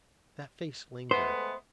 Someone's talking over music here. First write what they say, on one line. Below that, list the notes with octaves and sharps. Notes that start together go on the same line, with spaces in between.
That face lingered.
G#3 A3 B3 C5